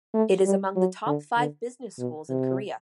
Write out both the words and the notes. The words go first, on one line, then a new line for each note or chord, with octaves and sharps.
It is among the top five business schools in Korea.
A3
G3
F#3
D3
D3
B2
C3